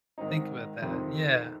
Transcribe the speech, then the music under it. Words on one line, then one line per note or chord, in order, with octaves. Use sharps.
think about that, yeah.
G#2 D#3 C4 D#4
F2 C3 D#3 C4